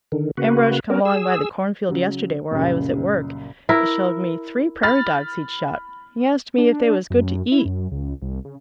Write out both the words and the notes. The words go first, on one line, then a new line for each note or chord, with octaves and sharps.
Ambrosch come along by the cornfield yesterday where I was at work and showed me three prairie dogs he'd shot. He asked me if they was good to eat.
D3 D#3
C#3 A#3 F#4 B4
B3 C#4 A#4
G#4 E6
C#3 F#3
C#2 F#2 A#2 G3
E4 A#4
B5 F6 A6
D4
F#2
E4
F#2
C#2
C2
C#3